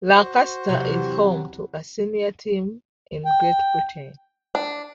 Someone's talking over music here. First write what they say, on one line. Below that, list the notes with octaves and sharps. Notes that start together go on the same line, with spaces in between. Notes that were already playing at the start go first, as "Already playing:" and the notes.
Lancaster is home to a senior team in Great Britain.
F#4 C5
C3 E3 F#3
G5
D4